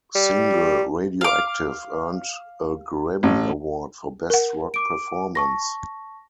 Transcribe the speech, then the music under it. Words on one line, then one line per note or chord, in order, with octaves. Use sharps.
Single "Radioactive" earned a Grammy Award for Best Rock Performance.
G3
F5 D6
A1
A#4 F#5
D6 D7
A5 C#6 A#6